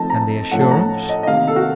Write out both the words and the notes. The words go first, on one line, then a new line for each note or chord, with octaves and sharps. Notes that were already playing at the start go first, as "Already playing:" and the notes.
And the assurance--?
Already playing: F3 A3 C4 D#4 D#5 A5
A#5
A5
A2 F3 A3 C#4 F#5
A5
A#5
A5
D#5
D#5
C3 D#3 A#3 F5
A4
F#4